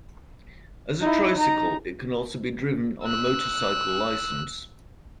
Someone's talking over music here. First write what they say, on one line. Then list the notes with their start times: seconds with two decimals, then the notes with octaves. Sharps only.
As a tricycle it can also be driven on a motorcycle licence.
1.01 D#4 E4
1.36 D#4 A#5
3.04 E6 F#6